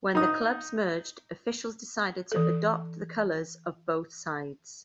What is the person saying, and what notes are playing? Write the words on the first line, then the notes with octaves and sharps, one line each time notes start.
When the clubs merged, officials decided to adopt the colours of both sides.
D#4 D#6
E3 A4